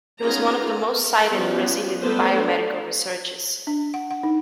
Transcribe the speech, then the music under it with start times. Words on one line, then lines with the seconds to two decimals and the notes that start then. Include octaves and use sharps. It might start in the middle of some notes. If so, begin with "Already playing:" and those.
He was one of the most cited Brazilian biomedical researchers.
0.21 B3 C#4 D#4 F4 G#4 A#5
0.78 A#4
1.32 F3 G3 B3 C#4 F#4 G4
2.01 G3 A3 B3 A4 B4 C5
2.36 D4
3.67 D4
3.94 F#5
4.11 F#5
4.23 D#4